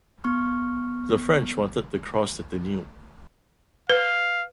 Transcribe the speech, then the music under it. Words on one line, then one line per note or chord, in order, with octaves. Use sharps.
The French wanted to cross the Danube.
B3 C#6 F6
B4 F5